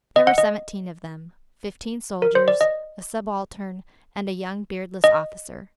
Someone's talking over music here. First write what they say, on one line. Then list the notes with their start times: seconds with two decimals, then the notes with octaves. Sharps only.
There were seventeen of them, fifteen soldiers, a subaltern and a young beardless officer.
0.16 D#5
0.27 F#5
0.38 D#5
2.22 A#4
2.35 C5
2.48 D5
2.61 D#5
5.04 D#5